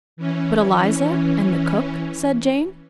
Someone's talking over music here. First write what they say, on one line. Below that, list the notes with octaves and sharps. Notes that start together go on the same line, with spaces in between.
'But Eliza, and the cook?' said Jane.
E3 C#4